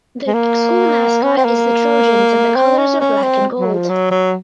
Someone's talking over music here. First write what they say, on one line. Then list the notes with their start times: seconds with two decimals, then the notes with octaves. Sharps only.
The school mascot is the Trojans and the colors are black and gold.
0.27 G#3
0.34 A#3
1.23 C#4
1.37 C4
1.45 A#3
2.56 C4
2.78 C#4
3.00 C#4
3.22 C4
3.59 F#3
3.74 F3
3.89 F#3
4.11 F#3